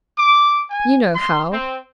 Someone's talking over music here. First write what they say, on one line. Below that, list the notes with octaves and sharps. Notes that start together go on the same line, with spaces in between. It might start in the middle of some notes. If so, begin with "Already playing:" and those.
You know how!'
D6
G#5
C6
C4